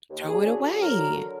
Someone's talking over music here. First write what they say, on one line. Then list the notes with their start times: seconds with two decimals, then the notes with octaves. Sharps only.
Throw it away.
0.10 D#2
0.27 D4 G#4
0.45 F#3
0.63 D3
0.80 F#3 A#4
0.98 D3